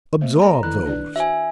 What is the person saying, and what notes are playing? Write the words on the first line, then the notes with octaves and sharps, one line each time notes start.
Absorb those.
A3 A#3 C5
A4 D5 D#5 A#5
D#3 E4 A4 F#6
D4 B4 D5
F#4 C5 E5 G#5